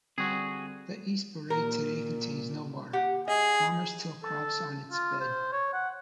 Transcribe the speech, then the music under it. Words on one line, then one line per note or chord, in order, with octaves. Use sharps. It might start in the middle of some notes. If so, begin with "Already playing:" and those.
The East Baray today contains no water; farmers till crops on its bed.
D3 G3 C4 F#4 G#4
A#2 A#4
G4 F#5
G#4 D#5
A4
F4
C5
C#5
F#5